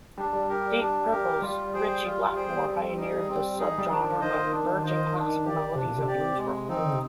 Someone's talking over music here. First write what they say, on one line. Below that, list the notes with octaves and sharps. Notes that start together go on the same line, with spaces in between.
Deep Purple's Ritchie Blackmore pioneered the subgenre by merging classical melodies and blues rock.
G3 D4
G3
G4 A#4
D4
G4 A#4
G3 F4
G#4 C5 G5
F4
G#4 C5 G5
C4
D#4 G#4
C4
D#4 G#4
G3
F3 D4
F3
D#3 F4 C5 D#5
D4
F4 C5 D#5
D4
G4 D5
C3 D4
A#2
C3
G4 D5
G#3
F3 C4 D#4
D#3
D3
C3